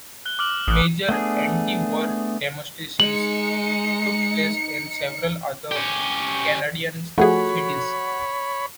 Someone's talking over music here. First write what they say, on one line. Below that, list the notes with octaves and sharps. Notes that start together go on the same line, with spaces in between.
Major anti-war demonstrations took place in several other Canadian cities.
F#6 G7
D6 F6 F#7
A1 D#6 F#6
A3 B3 D4 G#4
G#3 D#4 C#7 F#7
C#4 G4
F3 A3 F#4 G#4 A4 C#5 F#5 B5